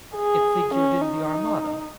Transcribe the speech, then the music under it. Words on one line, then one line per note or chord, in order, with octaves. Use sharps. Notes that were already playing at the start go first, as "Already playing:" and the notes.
It figured in the Armada.
G#4
C#4
D#4